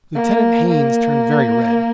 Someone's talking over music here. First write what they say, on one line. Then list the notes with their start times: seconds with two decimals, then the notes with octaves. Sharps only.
Lieutenant Haines turned very red.
0.14 A#3
0.68 A#3